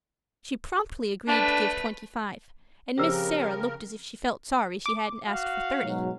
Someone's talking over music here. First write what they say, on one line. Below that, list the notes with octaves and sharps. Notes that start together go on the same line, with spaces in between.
She promptly agreed to give twenty-five and Miss Sarah looked as if she felt sorry she hadn't asked for thirty.
A3 D4 B4
C#3 F3 C4 G4 A#4 C5
D6
F#4 F5
G#2 B2 F#3